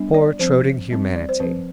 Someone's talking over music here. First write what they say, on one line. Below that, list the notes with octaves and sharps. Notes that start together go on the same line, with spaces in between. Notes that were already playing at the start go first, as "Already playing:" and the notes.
Poor, toadying humanity!
Already playing: G3 B3 D4
D5
F3 C4 C5
G3 C4
D5
C5
F3 C4 B4